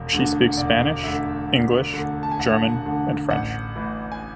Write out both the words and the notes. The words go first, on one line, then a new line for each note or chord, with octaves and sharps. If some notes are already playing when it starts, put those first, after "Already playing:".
She speaks Spanish, English, German and French.
Already playing: E1
D2 D3
E1 D5
D2 D3 E5
E1
D2 D3
A5
G#5
E1 F#5
D2 D3
A1 F#5
A2 E3
G#5